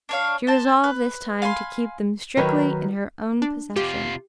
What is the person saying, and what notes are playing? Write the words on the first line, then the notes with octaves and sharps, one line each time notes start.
She resolved this time to keep them strictly in her own possession.
D4 C#5 F5
C5 A5
B4
F5 G#5 B5 C6
D#3 F#3 B4 C#5
D4
C3 F4 G4